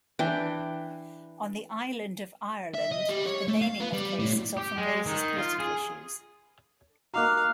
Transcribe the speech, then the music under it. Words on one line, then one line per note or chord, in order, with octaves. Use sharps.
On the island of Ireland the naming of places often raises political issues.
E3 D4 G5
E5
D#5
G3
C#5
A3
F5
B3
G3
A2
G4
G#3
D#3
F4
G#4
A#3 D#4 F#4 F5 A#5 D6 F#6